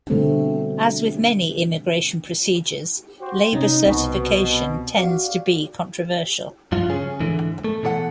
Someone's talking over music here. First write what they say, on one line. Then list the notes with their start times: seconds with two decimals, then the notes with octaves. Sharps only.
As with many immigration procedures, labor certification tends to be controversial.
0.10 B2 D3 G3 A3 C4
3.20 F#4 G4 C5
3.53 C3 C#4 D#4
3.85 C2 B2 C4
4.95 F#4 D5 F5
6.72 G2 F3 F4
6.90 C#3 C#4 G#4
7.20 G#2 D3 E3
7.64 A3
7.83 B2 E3 A4 C#5 F#5